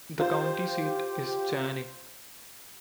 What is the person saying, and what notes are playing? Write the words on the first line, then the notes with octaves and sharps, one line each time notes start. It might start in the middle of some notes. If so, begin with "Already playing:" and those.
The county seat is Channing.
F4 G4 C5